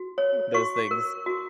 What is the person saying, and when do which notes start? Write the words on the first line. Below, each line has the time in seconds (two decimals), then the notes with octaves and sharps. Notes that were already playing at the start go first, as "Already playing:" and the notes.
Those things.
Already playing: F#4
0.18 C#5
0.54 F#4 C#6
0.91 A#4
1.26 F#4